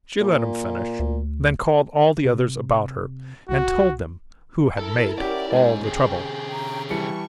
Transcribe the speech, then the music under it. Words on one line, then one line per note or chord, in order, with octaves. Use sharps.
She let him finish, then called all the others about her and told them who had made all the trouble.
A#2
D2
C3
C2 F#4
E4 A4 A#4 A5
C#4 G4 D5 F#5
G#3 D#4 G#5
C3 G#4 G5
A#5
E3 G3 A5 C#6 C#7